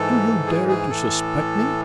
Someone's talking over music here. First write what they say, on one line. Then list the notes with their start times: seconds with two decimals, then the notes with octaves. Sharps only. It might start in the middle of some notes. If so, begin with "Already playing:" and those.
"Do you dare to suspect me?"
Already playing: G#2 E3 A4
0.47 G#4
0.69 G#4
0.90 A2 E3 A4